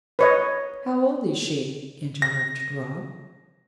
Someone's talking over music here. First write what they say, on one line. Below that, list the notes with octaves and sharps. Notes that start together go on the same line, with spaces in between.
"How old is she?" interrupted Rob.
B4 C#5 D#5
A#6